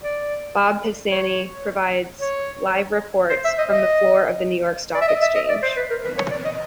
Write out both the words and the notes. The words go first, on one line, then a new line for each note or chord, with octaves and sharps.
Bob Pisani provides live reports from the floor of the New York Stock Exchange.
D5
C#5
C#5
C5
E5
D#5
D#5
D5
E5
D#5
E5
D#5
D5
C5
B4
A#4
B4
C#5
D5
D#5